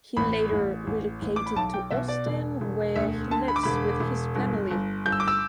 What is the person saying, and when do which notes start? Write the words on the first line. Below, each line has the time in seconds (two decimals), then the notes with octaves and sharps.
He later relocated to Ostend where he lives with his family.
0.17 A1 B5
0.52 A1
0.87 A1
1.22 A1
1.36 D6
1.46 B5
1.56 B1 A5
1.74 G5
1.91 B2 E5
2.08 D5
2.27 E1
2.61 E1
2.96 D2 E5
3.31 D3 A5
3.48 B5
3.56 D6
3.63 E1 B5
4.00 E1
4.36 G1
4.71 G1
5.06 G1 G6
5.12 E6
5.20 D6
5.28 E6